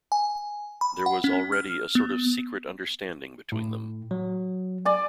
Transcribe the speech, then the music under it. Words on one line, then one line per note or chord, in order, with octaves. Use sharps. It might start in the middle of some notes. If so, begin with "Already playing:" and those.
There was already a sort of secret understanding between them.
G#5
B5
F#5
C#4
F6
B3
A2
F#3
D5 G#5